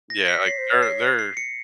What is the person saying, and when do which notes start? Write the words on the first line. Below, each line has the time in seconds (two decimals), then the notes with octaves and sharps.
yeah, like, they're they're
0.10 A#6
0.28 B6
0.46 C#5 C7
0.58 C5
0.71 C#5
0.83 C7
1.19 C7
1.37 C#7